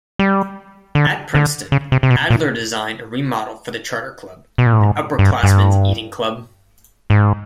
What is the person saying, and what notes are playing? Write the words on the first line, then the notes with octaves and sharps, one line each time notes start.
At Princeton, Adler designed a remodel for the Charter Club, an upperclassmen's eating club.
G3
D3
D3
C#3
C3
C3
B2
A#2
B2
A#2
A2
G#2
G2
G2
G#2